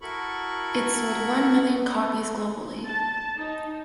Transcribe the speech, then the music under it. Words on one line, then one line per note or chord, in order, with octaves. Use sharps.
It sold one million copies globally.
E4 F#4 A4 A#4 B5 C#6
A5
D#4